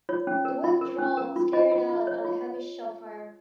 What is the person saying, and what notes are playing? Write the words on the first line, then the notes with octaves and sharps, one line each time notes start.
The withdrawal was carried out under heavy shellfire.
F4 C#5
C#4
A#4
F4
A#4
C#4
A#4
F4
F4 D#5
F4
F4
C#5
F4